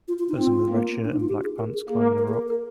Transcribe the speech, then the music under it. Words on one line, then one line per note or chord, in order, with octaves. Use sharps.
Person with red shirt and black pants climbing a rock.
F4
F4
D#4
C4 F4
A#3
D4
D#4
F4
G4
G#4
A#4
G#4
A#3 G#4
A#4
G#4
A#4
A#4